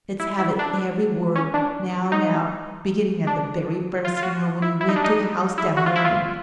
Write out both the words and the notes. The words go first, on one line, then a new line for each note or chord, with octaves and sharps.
Let's have it every word--now--now--beginning at the very first, you know, when he went to the house that morning!'
E4
E4
D4
C#4
D4
D#4
D4
F4
F4
F#4
E4
E4
D#4
D4
D#4
E4
F#4
F4
E4
F4